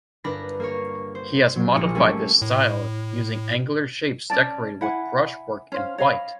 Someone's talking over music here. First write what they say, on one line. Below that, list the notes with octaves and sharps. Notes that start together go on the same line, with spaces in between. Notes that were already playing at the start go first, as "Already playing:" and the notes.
He has modified this style, using angular shapes decorated with brushwork in white.
G1 D4 A#4 B4 B5 A#6
A#3 A#4 C#5
C5
F#3
A#1 A#2 F3 A#3 A#5 C#7
G3 A3 A#3 C#4
A2
C#4 D5 A5
E4 F#5 G#5
C#4 C5 F5
C#5 D#5 F5 B5